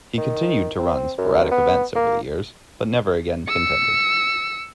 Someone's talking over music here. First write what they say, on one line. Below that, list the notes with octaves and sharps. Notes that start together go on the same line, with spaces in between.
He continued to run sporadic events over the years but never again contended.
D#3
C4
F#2
B3
A#3
E6 C#7